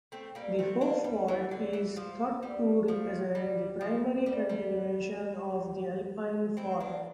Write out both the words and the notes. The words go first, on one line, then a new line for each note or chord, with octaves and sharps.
The Hope fault is thought to represent the primary continuation of the Alpine fault.
A3 C4
G3 A#3
A3 C4
A#3 D4
G3
E3
D3
E3
F3
G3
F3 A3
G3
F3
G3
G3
C4 E4
A#3 D4